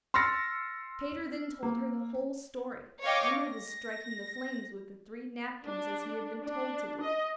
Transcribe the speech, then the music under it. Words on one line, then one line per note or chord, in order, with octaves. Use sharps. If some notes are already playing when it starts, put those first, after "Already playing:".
Peter then told her the whole story, and of his striking the flames with the three napkins as he had been told to do.
C6 E6 F6 A6 A#6 C#7
A#3
C#5 D#5 F5 G5 D6
A#6
D4
D4
D#5